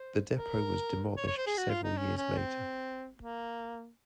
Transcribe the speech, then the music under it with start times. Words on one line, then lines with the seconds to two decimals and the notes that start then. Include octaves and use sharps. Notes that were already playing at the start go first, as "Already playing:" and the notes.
The depot was demolished several years later.
Already playing: C5
0.36 A#4
1.17 C#5
1.27 C#5
1.37 C5
1.47 G#4
1.58 F#4
1.70 F4
1.83 D#4
1.98 C#4
2.17 C#4
2.37 C4
3.18 A#3